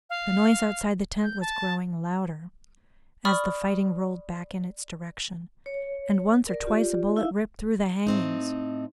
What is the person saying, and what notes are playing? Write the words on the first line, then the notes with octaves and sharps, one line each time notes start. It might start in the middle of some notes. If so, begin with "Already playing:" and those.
The noise outside the tent was growing louder as the fighting rolled back in its direction, and once or twice a bullet ripped through the hangings.
F5
G6
A5
D5 B5 C#6 D#6 F6
C#5
A#4 D5
F4 G4 D5
D#4 E4 E5 F5
A2 C4 D#4